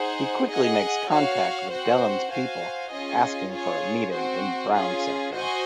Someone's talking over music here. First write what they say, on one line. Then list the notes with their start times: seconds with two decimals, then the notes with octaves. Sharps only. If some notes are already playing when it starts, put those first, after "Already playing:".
He quickly makes contact with Delenn's people asking for a meeting in brown sector.
Already playing: D#4 G#4 C5 F#5
0.50 G#4 D#5 F#5
1.11 F#4 C#5 F5
1.71 C4 F#4 C5 F#5
2.31 F#4 C5 F5 G#5
2.92 C#4 F4 G#4 D#5 G#5
3.52 F4 G#4 C#5
4.12 C4 F#4 C5
4.74 C#4 F4 G#4
5.33 F#4 C5 D#5 G#5